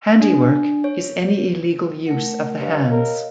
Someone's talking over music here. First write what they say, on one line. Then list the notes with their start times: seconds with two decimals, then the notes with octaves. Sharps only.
"Handiwork" is any illegal use of the hands.
0.21 D4
0.84 C#5
2.07 A3 A#4 F#5
2.60 G2 C#5 D#5 F5
2.91 A#4